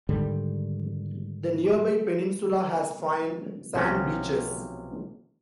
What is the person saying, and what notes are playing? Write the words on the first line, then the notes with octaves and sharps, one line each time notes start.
The nearby peninsula has fine sand beaches.
G#2 D3 D#3 G3
B1 C3 F3 C#4 F#4